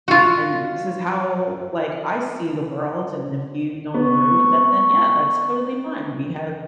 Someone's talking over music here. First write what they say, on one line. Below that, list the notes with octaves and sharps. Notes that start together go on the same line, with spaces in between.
and this is how, like, I see the world, and if you don't agree with it, then yeah, that's totally fine, we have
F4 F#4
B3 C#6